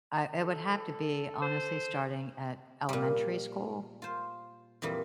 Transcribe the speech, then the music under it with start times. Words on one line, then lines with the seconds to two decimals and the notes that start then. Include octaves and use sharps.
I it would have to be honestly starting at elementary school
0.41 A4
1.42 C5
2.89 A#2 G3
4.02 F4 C5
4.82 F2 A#2 E3 G3